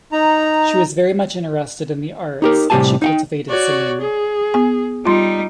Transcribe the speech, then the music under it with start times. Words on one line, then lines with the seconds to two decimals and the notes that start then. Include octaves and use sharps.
She was very much interested in the arts and she cultivated singing.
0.12 D#4 A#5
2.42 D#4 G4 A#4
2.70 A2 C3 G3 G4 G#5 A5
3.02 D#4 F#5 G5
3.49 F#4 C#5 D5
4.00 G#4
4.54 B3 G#5
5.05 G3 D#4 F4 C6